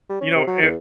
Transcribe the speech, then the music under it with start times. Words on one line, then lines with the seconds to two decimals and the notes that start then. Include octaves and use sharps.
you know, and
0.09 G3
0.21 C#4
0.35 C3
0.47 F#3
0.62 E2